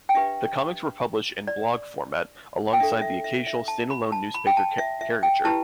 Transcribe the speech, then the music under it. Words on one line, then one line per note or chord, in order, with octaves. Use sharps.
The comics were published in blog format, alongside the occasional stand-alone newsmaker caricature.
G5
D4 G4 B4 E5
D5
G5
D4 A4 E5
E5
E5
E5
A5
B5
A5
B5
G5
A5
E5
E5
G5
E4 G4 B4 A5